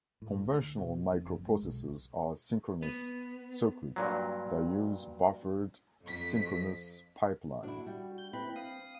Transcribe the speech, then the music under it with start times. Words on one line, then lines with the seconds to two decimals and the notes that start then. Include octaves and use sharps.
Conventional microprocessors are synchronous circuits that use buffered, synchronous pipelines.
0.22 A2
0.45 D2
0.78 B2
1.12 F2
1.26 F#1
1.47 G#3
1.63 B1
2.83 B3
3.96 G2 A#2 F#3
6.05 F2 B6
7.63 D4 E4 F#4
7.86 G3
8.18 G6
8.33 C4 E4 B4 B5
8.56 F5 D#6